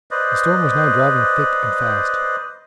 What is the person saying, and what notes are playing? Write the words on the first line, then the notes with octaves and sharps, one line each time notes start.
The storm was now driving thick and fast.
B4 C5 D5 D#5